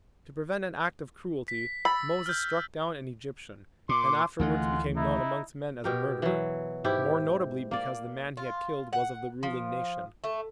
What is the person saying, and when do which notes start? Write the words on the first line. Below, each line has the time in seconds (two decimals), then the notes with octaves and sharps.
To prevent an act of cruelty, Moses struck down an Egyptian and afterward became known among men as a murderer, more notably because the man He had killed was of the ruling nation.
1.48 B6
1.85 B5 E6 A6
2.26 F6 G6
3.89 A#2 C6 D6
4.39 D2 E3 G#3 A3 F4 F#5
4.97 D#4 E4
5.84 B2 G4 A#4
6.22 E3 F#3
6.84 G#2 E4 G4
7.71 A#3 D5
8.37 F4
8.93 F#5
9.43 F3
10.24 A3